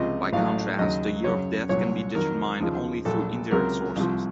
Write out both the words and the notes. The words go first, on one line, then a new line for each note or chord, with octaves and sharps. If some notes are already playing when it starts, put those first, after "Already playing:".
By contrast, the year of death can be determined only through indirect sources.
Already playing: C#2 C3 F3 D#5
A1 A2 F#3 F5
D#2 C#3 F#3 D#5
F#2 C#3 F#3 C#5
C2 A#2 F#3 C#5
F2 D#3 F#3 A#4
D#2 C#3 F3
A#1 A#2 F#3 A4
C#2 C3 F#3 A#4
C2 C3 F3